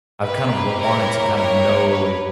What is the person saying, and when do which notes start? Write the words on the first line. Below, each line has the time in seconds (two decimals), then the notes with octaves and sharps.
I've kinda wanted to kind of know,
0.24 A#3 E4 G4 B4
0.80 A#4 C#5
1.36 A#4 C#5
1.93 B4